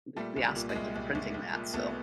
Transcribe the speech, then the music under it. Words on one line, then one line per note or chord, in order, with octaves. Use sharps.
we we aspect of printing that, so
A#2 G3 A3
C2
G3
A#2
G#3
C2
C2
C2
C2
A#2
C2 A3 B3